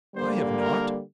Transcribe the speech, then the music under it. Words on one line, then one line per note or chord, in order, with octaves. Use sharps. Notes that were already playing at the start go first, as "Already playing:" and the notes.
"I have not."
D3 G3 A#3 C5
A#4